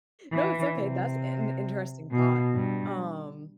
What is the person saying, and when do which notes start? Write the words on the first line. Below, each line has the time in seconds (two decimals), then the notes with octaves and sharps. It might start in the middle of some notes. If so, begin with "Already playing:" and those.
no, it's okay, that's in interesting thought, um,
0.33 E3
0.78 C3
2.11 B2
2.55 G2